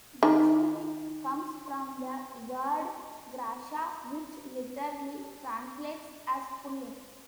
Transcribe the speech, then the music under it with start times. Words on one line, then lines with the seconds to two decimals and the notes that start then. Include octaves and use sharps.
"Garshuni" comes from the word "grasha" which literally translates as "pulling".
0.23 D#3